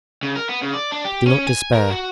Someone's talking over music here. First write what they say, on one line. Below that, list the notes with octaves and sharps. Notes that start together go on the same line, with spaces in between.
Do not despair!
C#3
A#4
B3
C#3
D5
D4
G4
C#4
G#5
A#4
F#4